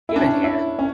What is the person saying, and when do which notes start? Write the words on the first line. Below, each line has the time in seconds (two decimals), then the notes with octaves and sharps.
Give it here!
0.09 E4
0.16 D4
0.23 C#4
0.44 E4
0.79 C#4